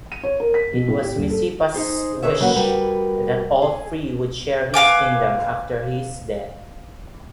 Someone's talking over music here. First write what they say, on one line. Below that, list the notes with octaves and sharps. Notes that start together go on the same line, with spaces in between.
It was Micipsa's wish that all three would share his kingdom after his death.
D#7
C#5
A#4
B6
B2
A2
G4
D#1
A4
D#4 G#4 C5
G#4 B4 C#5 E5
C#3 F#3 A#3 B4 F#5
G3 F#4 A#4 B4
G#4
B4 F5 G#5 D6